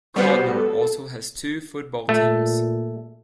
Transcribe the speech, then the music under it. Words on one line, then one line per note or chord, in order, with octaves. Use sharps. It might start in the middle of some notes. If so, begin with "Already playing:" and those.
Codnor also has two football teams.
G3 B3 F#4 C5
A4
A#2 A3